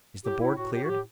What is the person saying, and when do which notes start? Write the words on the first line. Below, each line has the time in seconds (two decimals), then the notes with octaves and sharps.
"Is the board cleared?"
0.24 A2 G4
0.40 A2 E4
0.57 A2 F#4
0.72 A2 G4
0.84 F#4
0.88 A2 G4